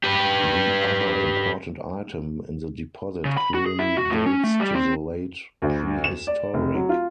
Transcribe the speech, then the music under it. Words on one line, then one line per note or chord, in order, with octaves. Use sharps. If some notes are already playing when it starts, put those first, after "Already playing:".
The other important item in the deposit clearly dates to the late prehistoric.
G4 B4
C#3
B5
F#4
G#4
E4
F#4
A2
C#4
A3
G3
C4
D2
E7
D5
F1
F#3
F4